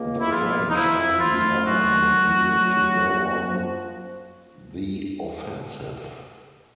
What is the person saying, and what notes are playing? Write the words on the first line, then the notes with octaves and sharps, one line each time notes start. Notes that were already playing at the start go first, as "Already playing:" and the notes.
The French on the other hand needed to go on the offensive.
Already playing: C#2 A#3
E4
F3 F4
D#4
F3 E4
A3 F4
F#3 F#4
A3
F#3
A#3
F3